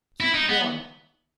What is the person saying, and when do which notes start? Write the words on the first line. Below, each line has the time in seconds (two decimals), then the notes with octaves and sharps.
Keep warm.
0.20 E4
0.34 D#4
0.49 B3